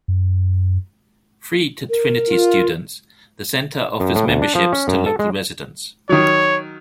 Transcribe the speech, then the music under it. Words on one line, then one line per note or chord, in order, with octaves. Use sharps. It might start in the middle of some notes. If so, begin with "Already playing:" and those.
Free to Trinity students, the Center offers memberships to local residents.
F#2
A#4
F4
F#2
A2
D2
D4
F3
C#4
F#2
A4
G#3
D#3 F#3 C#5